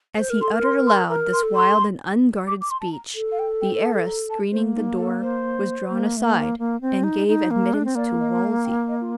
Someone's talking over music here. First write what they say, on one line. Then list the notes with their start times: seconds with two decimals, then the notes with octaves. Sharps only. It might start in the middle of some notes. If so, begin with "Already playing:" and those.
As he uttered aloud this wild and unguarded speech, the arras screening the door was drawn aside, and gave admittance to Wolsey.
0.18 C5
0.30 A#4
0.41 A4 C6
0.53 A#4
0.63 C6
0.86 C6
1.09 A#4 A#5
1.32 C6
1.43 A4
1.55 C6
2.47 D6
2.61 D6
2.70 C6
2.80 A5
2.92 A#5
3.15 A4
3.31 F5
3.39 G5
3.61 G5
3.83 A5
4.06 A#5
4.29 A5
4.52 A#3 C5
4.76 D#4
4.98 A4
5.21 C5
5.89 A#3
6.17 A3
6.24 A#3
6.59 A#3
6.81 C4
7.04 D#4
7.28 D#4
7.51 A#3
7.73 D4
7.85 C4
7.95 A#3 D5
8.19 D#5
8.42 F5
8.64 G5
8.87 D#5
9.00 F4